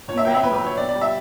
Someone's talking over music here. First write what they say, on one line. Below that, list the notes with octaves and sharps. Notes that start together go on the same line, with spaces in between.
He rang off.
A#2 C#5
E5
F#3 G5
E5
A#2 B4
B4
F#3
C#5
B2 D5
D5
G3
E5